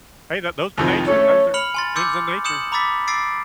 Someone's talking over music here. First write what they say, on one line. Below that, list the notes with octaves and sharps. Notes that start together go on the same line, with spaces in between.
Hey, that those are nature those are things in nature.
C2 F2 D#3
A3 C#4 A4 C#5
B5 F6 C#7 F7 F#7
G#5 C6 A6
C6 D6 E6 G6 C#7
D#6 G6 C#7 E7 F#7
A#5 B5 D6 E6 A6 B6
D6 E6 A6 C7 D7